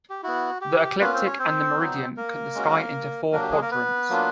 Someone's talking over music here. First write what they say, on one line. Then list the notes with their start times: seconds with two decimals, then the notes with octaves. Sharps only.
The ecliptic and the meridian cut the sky into four quadrants.
0.10 G4
0.23 B3 E4 F#4
0.61 G4
1.00 A#3 B3 C#4 F4 B4
1.14 C4 C5
1.26 C#4 C#5
1.39 C4 C5
1.78 F#3 B3 D#4
2.17 A#3 A#4
2.55 G#3 C#4 F#4
3.32 F#3 A#3 D4 A#4
3.42 G4
3.51 G#3 G#4
3.61 A#3 A#4
3.71 B3 B4
4.09 F#3 A#3 D4 F4